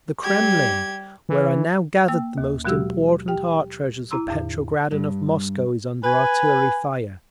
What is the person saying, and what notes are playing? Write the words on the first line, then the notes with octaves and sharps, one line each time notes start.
The Kremlin, where are now gathered the most important art treasures of Petrograd and of Moscow, is under artillery fire.
G3 G4 G#6
E3
A#3 G5 E6
D#2
B2 F#3 G#3 F#4 G4 E6
G4 G5
E4 A#5 C6 E6
E2 A2 D3
G2
B4 G#5